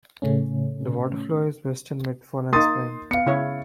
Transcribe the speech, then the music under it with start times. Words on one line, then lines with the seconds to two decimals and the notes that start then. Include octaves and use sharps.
The water flow is best in mid-fall and spring.
0.22 A2 C#3 A3 C#4
2.53 A#3 D#4 C6 D#6 A6
3.11 B3 F5 C#7
3.26 C#3 E4 C#5